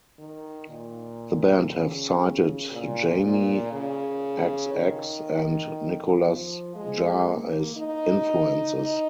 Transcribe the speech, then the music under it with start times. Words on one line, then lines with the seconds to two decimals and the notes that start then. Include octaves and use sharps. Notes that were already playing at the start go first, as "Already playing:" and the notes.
The band have cited Jamie xx and Nicolas Jaar as influences.
0.19 D#3
0.69 A#2
1.70 C#3
2.71 A#2
3.22 A#2
3.72 C#3
4.73 D#3
6.25 F3
6.75 G#3
7.26 A#3
7.76 D#4
8.77 D#4